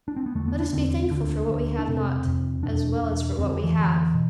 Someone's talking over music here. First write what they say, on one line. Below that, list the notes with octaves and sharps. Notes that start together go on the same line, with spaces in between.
Let us be thankful for what we have not, as well as for what we have!
D4
C4
B3
E2 D3 A3
B3
D4
E2 D3 C4
D2 D3 D4
D2 D3
D4
F2 C3 C4
F2 C3
E2 B2 D4
E2 B2
F2 D3 C4
E3
F2 D3
B2